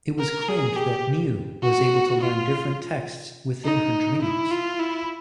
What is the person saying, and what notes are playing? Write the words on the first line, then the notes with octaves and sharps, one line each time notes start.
It was claimed that Niu was able to learn different texts within her dreams.
A#4
G#4
G4
F#4
F4
D#4
E4
F4
E4